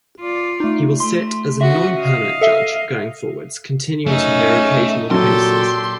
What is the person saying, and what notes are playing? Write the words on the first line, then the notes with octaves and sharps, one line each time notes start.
He will sit as a Non-Permanent Judge going forwards, continuing to hear occasional cases.
F4 D5
A3 D#4
A3 C6
C#3 F#4 E5
D#5 F5
A4 E5
F#2 A3 C#4 D#4
A#2 F#3 G4 A4 C6